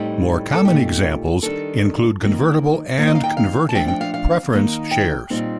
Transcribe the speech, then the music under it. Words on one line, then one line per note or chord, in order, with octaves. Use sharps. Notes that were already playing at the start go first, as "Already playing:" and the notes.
More common examples include convertible and converting preference shares.
Already playing: A2 G3 C4 D#4 G4
A4
A#2 A3 D#4 G4
D#3 G3 D4 A4
D#3 A#3 D#4
D#3 A#3 D#4 C5
D#5
F5
G5
F5
A5
F3 A3 D4 G5
G5
F5
F5
D#3 A#3 D#4
G5
A#2 G3 C4 D#4